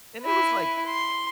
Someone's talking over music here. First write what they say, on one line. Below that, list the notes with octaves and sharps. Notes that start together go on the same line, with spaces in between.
And it was like
E4 B4
C6